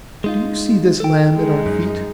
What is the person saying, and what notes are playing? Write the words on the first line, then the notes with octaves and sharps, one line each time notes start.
'Do you see this land at our feet?'
G#3 D#4 F4
A4 G5
G#3 D#4
F#2